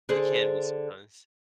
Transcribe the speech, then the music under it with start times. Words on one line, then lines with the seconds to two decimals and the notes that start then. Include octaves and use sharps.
It can be sometimes.
0.09 D3 G#4 C5